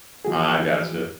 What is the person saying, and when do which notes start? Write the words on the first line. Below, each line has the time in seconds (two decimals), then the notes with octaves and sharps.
I gotcha.
0.25 E3 F3 F#4 G#4